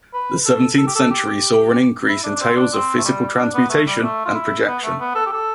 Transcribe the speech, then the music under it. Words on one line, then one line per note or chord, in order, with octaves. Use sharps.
The seventeenth century saw an increase in tales of physical transmutation and projection.
B4
A4
A4
G4
A4
G4
E4
D4
D4
C4
D4
C4
A3
G3
D4
B3
A3
G3
A3
F4
E4
B3
A3
B3
A4
G4
A4